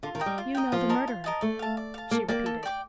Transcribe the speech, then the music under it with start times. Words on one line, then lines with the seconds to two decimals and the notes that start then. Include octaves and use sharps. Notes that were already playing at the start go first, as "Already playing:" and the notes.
"You know the murderer," she repeated.
0.03 D3 F4
0.15 D#3
0.20 A#4 D#5 G5
0.26 G3
0.38 F4
0.55 A#4 D#5 G5
0.72 F3 F4
0.89 A#4 D#5 A5
1.08 F4
1.24 A#4 D#5 A5
1.41 A3 D5
1.59 F5 A5
1.77 D5
1.94 F5 A5
2.11 A#3 A4
2.28 A#3 D5 G5 D6
2.46 A4
2.63 D5 G5 D6